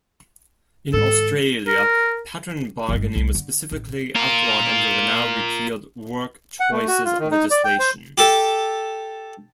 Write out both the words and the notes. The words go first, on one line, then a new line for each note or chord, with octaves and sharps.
In Australia, pattern bargaining was specifically outlawed under the now-repealed WorkChoices legislation.
G#2 D#3 A4
A#4
G1 G#3
C2
D3
A1
F4 A#4
F#5
A3
F#4
F4
D#3
D#4
D5
G5
C5
G4 A4